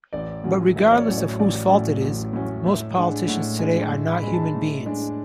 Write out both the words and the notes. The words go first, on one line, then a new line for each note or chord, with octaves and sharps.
But regardless of whose fault it is, most politicians today are not human beings.
A1 D5
A2 F#3 C#4
A1 E5
C#5
D5
A2 F#3 C#4
C#5
A1 D5
A2 F#3 C#4 D5
A1
A2 F#3 C#4
A2 E5
G#3 D4 F#5
A2 F#5
G#3 D4 G#5
A2
B5
G#3 D4
A5
A2
G#3 D4